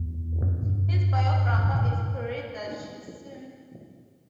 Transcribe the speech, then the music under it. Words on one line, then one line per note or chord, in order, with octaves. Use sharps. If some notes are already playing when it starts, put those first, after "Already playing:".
His biographer is Pierre Duchesne.
Already playing: E2
F2
G2
E2
F2
G2
A2
G2